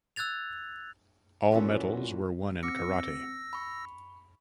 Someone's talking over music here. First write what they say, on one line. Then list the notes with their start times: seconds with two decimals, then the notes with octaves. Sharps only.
All medals were won in karate.
0.16 E6 F#6 G#6 A6 F7
1.51 E2 A#2 F#3 C#4 A4
2.63 C4 D6 E6 A#6 C#7
3.53 B5 C#6